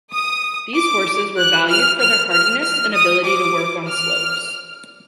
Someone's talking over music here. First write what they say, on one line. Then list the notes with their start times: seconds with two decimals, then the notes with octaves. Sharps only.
These horses were valued for their hardiness and ability to work on slopes.
0.12 D#6
0.75 D6
1.38 F#6
1.69 F6
2.00 F6
2.31 F6
2.63 F6
2.94 D#6
3.25 D6
3.88 F6